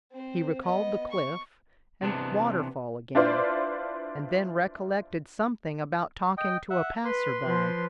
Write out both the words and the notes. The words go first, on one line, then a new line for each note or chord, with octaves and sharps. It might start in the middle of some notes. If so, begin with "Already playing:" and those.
He recalled the cliff and Waterfall again, and then recollected something about talking to a passer-by....
C4 C5
B3 D#5
C#6
C3 E3 B3 D4
D4 E4 F4 B4 C5 D5
D#5 G5
E5 F#5
B4 C6
F3 B4